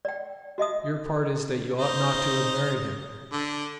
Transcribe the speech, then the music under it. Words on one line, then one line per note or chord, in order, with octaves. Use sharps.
Your part is that you ought not to have married him.
D5 G5
F#4 D#5 E5 D#6
D#4 C5
D3